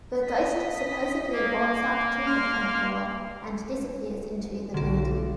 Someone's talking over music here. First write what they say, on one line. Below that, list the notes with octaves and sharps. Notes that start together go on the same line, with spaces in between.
The ghost supposedly walks up to the front door and disappears into the building.
D#5 B6
A#3
C6 F6
B1 D3 F#4